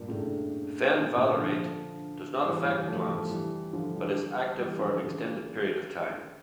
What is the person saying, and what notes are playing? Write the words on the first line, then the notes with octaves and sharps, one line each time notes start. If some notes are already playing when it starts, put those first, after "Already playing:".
Fenvalerate does not affect plants, but is active for an extended period of time.
Already playing: G2 A#2
A2 C#3
A#2 D3
D3 F3
E3 G3
E3 G3
F3 A3
F3 A3
E3 G3
D3 F3
E3 G3
E3 G3
D3 F3
C#3 E3